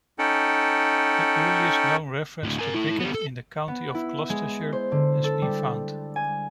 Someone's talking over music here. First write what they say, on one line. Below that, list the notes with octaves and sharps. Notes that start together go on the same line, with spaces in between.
The earliest known reference to cricket in the county of Gloucestershire has been found.
C#4 D#4 A4 F#5 G5
D2 A2
A#4 G#5
E4 A4
G3 B3
A4
B3
E4
G#3
C5
D3
A4
G3
G#5